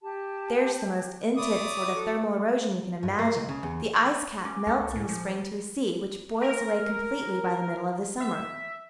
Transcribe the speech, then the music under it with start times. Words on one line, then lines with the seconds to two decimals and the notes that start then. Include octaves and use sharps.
There's the most intense sort of thermal erosion you can imagine--the ice-cap melts in the spring to a sea, which boils away completely by the middle of the summer.
0.01 G4 A5
1.37 C#5 D5 E5 B5 D#6
1.93 F#4 A4
3.03 G2
3.19 A#3
3.37 C#2
3.49 C#3
3.63 E2
4.45 C#4 D6
4.67 C#2 C#4 A4
4.95 A2
5.09 F3
6.41 A#4
8.20 E5